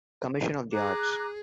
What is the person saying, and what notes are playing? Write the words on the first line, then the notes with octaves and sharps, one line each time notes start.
Commission on the Arts.
G#4 A#5 D6 F#6